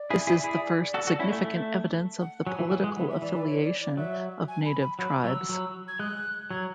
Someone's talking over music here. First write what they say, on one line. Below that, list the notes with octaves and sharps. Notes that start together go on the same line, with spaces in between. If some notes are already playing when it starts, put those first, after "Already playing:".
This is the first significant evidence of the political affiliation of native tribes.
Already playing: D5
E4 G#4
E4 G#4
E4 G#4
F#4 A4
F#4 A4
C#4 E4
A3
A3
F#5
F#3 G#5
E3
F#3 G#5
G#3
E3 F#5
E5
E3 D5
D5
C#5
D5
D5
F#3 E5
G#5
B5
B5
F#3 B5
F#3 E6
F#3
G#6
G#3 F#6
F#3 G#6